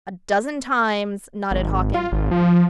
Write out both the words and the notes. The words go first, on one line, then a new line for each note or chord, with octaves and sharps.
"A dozen times," nodded Hawkins.
G#1
F4
G#1
F3